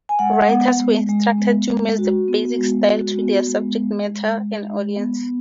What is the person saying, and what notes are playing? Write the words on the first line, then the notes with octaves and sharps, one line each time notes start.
Writers were instructed to match the basic style to their subject matter and audience.
G#5
G#3 F#5
B3
G#3
G#3
B3
G#3
F#4
B3
G#3
F#4
B3
G#3
G#3
G#3
G#3
G#3
B3